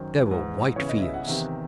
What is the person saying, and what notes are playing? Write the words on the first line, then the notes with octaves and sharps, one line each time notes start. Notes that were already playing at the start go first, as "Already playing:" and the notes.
There were white fields.
Already playing: F#2 D#3 C5
E3
G#2
E2 C#3 E3 C#5
D#5
E5
F#5
E2 C3 D#3 E5